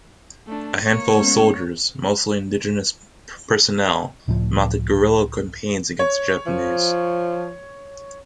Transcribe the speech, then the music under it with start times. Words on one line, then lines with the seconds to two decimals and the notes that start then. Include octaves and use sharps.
A handful of soldiers, mostly indigenous personnel, mounted guerilla campaigns against the Japanese.
0.47 A3 D4
0.83 A#3 C#5
1.19 G#3 B3 C#4
4.28 C#2 A2 C#3 F3
5.99 C#5
6.46 F3